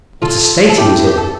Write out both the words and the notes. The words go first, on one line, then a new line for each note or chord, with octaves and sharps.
What a state he was in!
F4 A4
A4
E4 G4
G4
A4